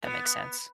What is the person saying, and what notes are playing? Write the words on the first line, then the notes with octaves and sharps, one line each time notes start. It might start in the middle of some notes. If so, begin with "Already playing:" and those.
That makes sense.
B3